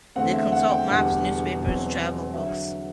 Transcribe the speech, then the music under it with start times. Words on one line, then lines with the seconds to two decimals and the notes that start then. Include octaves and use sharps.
They consult maps, newspapers, travel books.
0.16 E2 D3 A3 C4 F#5
0.33 E5
0.52 F#5
0.70 G5
0.88 E1 E2 D3 G3 F#5
1.61 E1 E2 B2 F#3 C4
2.34 D3 F#3 E5